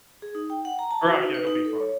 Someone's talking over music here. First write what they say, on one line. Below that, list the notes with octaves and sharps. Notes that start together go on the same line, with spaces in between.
Right, yeah, it'll be fun.
G#4
D#4
G5
F#5
A#5
A5
F#4
D#4
B4
D#4
A4
C#5